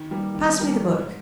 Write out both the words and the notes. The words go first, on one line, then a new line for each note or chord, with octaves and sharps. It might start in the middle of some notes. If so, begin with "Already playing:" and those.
Pass me the book.
Already playing: D#3
G3 A#3
D#3
G3 A#3
G#2